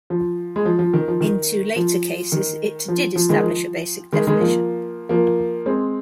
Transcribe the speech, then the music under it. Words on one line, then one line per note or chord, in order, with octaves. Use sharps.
In two later cases, it did establish a basic definition.
F3
G#3
F3
F3
D#3
F3
D#3
F3
D#3
F3
F3
D#3 G#3
F3
D#3 G#3
D#3 G#3
F3 A#3
F3 A#3
G#3 C4